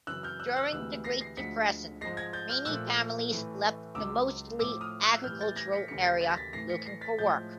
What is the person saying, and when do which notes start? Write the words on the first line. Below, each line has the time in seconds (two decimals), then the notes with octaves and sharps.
During the Great Depression many families left the mostly agricultural area looking for work.
0.07 F#2 C#3 E3 E6 F#6
0.23 F6 G6
0.39 E6 F#6
0.56 E6 F#6
0.72 D2 C3 E3 G#3 E6 F#6
1.05 A#6 C7
1.21 A#6 C7
1.37 D2 D3 F3 G#3 B6 C#7
2.01 G#2 F3 G#3 A#6 C7
2.17 G#6 A#6
2.33 G6 A6
2.49 F6 G6
2.65 A#2 F3 A3 E6 F#6
3.31 A2 E3 A3
3.95 C#2 C#3 F#3 D6 E6
4.59 A2 F3 A3 D6 E6
4.81 D#6 F6
5.03 E6 F#6
5.24 A2 E3 G3 F6 G6
5.41 G6 A6
5.56 G#6 A#6
5.73 B6 C#7
5.88 D#2 C#3 E3 A3 B6 C#7
6.05 A#6 C7
6.21 A6 B6
6.30 A#6
6.37 A6 B6
6.53 A2 E3 A3 A#6 C7
6.69 B6 C#7
6.85 A#6 C7
7.01 A6 B6
7.18 A2 F3 G#3 G6 A6